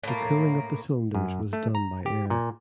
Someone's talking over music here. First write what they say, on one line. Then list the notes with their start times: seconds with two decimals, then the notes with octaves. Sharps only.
The cooling of the cylinders was done by air.
0.03 A2 A#3
1.15 F#2
1.53 A3
1.75 A#5
2.06 G4
2.30 A#2